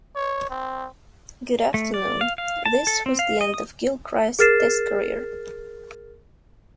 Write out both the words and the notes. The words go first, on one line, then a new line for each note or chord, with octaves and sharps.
Good afternoon. This was the end of Gilchrist's Test career.
C#5
C4
A3
D5
F5
F5
A5
A4
C4
F5
D#5
D#6
G#4 A#4 F6 A6 C7 E7